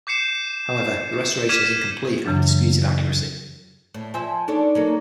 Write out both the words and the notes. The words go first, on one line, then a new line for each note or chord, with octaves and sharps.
However, the restoration is incomplete and of disputed accuracy.
D6 G6 C7 C#7 E7
D6 F6 G#6 B6 D#7 E7
F#2 C#3 E3 F#3 D4
A2
F3 E5 G#5
D4 D#4 A4 C#5
F#3 A#3 A4